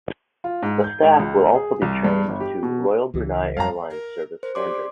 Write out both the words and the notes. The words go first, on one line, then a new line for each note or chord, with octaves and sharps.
The staff will also be trained to Royal Brunei Airlines service standards.
F4
G#2
G6
G#2
C#2
G#4
C2
G2
G1
G4
B2
C#2 E3
F2 G3 F5 A5 A#5
A#4
A#4 C5
G4 D5 C6 D6